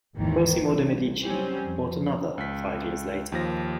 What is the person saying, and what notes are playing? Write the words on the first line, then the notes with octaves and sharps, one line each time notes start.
Cosimo de' Medici bought another five years later.
G#1 D#2 D#3 E3
C2
F#3 G3 C4 C#4
F2
C#2 B6
D#2 F3 A#6